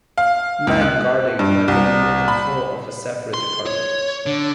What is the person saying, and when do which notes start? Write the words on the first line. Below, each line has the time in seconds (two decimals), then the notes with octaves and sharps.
Manned guarding may be under the control of a separate department.
0.18 F5
0.67 C#2
0.82 F#6
1.39 G2
1.68 C2
2.28 B5
3.34 C6
3.66 C#5
4.26 D3